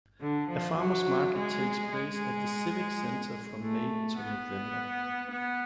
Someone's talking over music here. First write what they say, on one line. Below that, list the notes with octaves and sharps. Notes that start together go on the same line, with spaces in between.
A farmer's market takes place at the Civic Centre from May to November.
D3
F3
F#3
G#3
G#3
A3
B3
B3